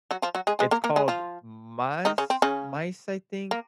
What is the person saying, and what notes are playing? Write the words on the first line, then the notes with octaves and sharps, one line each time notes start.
it's called mas maíz, I think.
F#3 F#4
F3 F4
F#3 F#4
G#3 G#4
G#3 G#4
A#3 A#4
A#3 A#4
G#3 G#4
F3 F4
D#3 D#4
C#3 C#4
C4
C#3 C#4
A#3